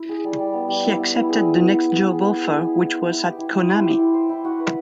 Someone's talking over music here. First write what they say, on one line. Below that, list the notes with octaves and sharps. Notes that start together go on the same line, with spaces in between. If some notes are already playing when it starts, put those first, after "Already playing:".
He accepted the next job offer, which was at Konami.
Already playing: E4
G#4
G3
G3
B3
G3
E4
B3
E4
G#4
G#4
B3
B3
B3
G#4
B3
G#4
G#4
E4
E4
C5
E4
G4
E4
E4
C5
G4
E4
C5
E4
F#4
B4